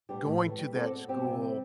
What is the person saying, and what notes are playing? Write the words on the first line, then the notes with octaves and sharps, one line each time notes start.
going to that school,
G3 B3 D4 G4
A2
E3 A3
G3
C4 F#4 A4 D5
B2
G3 C4 G4
C3
G3 C4